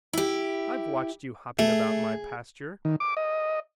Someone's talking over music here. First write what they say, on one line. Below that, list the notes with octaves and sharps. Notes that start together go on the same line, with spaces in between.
I've watched you hopping about my pasture.
E4 G4
A3 G#4
D#3
D6
D#5